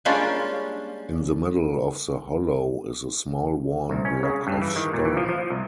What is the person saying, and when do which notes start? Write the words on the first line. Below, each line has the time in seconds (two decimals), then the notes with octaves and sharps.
In the middle of the hollow is a small worn block of stone.
0.05 G3 G#3 A#3 C#4 D4 F4
3.90 C2
4.05 C#4
4.23 C#3
4.47 G2
4.62 E3
4.76 D#3
4.93 A#2
5.05 E3
5.17 F3
5.29 F3
5.50 C2